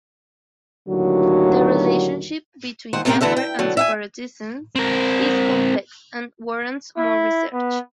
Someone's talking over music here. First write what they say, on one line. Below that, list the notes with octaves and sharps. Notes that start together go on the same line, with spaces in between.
The relationship between gender and separatism is complex and warrants more research.
D#2 A2 D3 F#3 F#4
D#2 D#3 C5 F#5
A2 C3 C4 C#4 A#4 G5
D2 D3 E3 A4 E5
G5
B2 D3 F#3
E5 F#5 G#5
C4 A#4
E4
B3